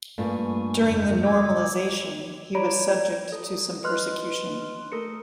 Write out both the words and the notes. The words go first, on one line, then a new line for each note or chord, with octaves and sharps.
During the Normalization he was subject to some persecution.
G2 A3 A#3 F4 G#5 C#6
F2 C#3 G6
D6 E6 G#6
C#5 D5 A#5 B5 D7
G#6
A4
B4 D#5 C6 F6 F#6
A3 A4 A#4 C#7